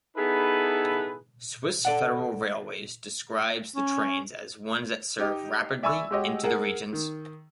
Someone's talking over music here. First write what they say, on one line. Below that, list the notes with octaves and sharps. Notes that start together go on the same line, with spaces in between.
Swiss Federal Railways describes the trains as ones that serve "rapidly into the regions".
B3 D#4 E4 G#4 A4 B4
A4 D5 F#5
C#4
D#4 G4 D#5
D5 E5 G#5 B5 C#6 E6
G#3 F#4 G4 C#5 D#5
G#4 A#4 F#5
D#3